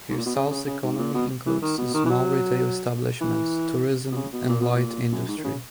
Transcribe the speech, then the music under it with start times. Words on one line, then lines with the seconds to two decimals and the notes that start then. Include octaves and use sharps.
Hirsau's economy includes small retail establishments, tourism, and light industry.
0.09 G#2
0.18 A#2
0.26 B2
0.35 C#3
0.50 C#3
0.67 C#3
0.83 G#2
0.99 A#2
1.14 B2
1.46 E3
1.62 D#3
1.78 B2
1.94 D#3
2.05 E3
2.10 F#3
3.21 E3
4.12 B2
4.16 C#3
4.32 B2
4.48 A#2
4.62 B2
4.75 A#2
5.12 F#2
5.28 G#2
5.38 D#3
5.44 C#3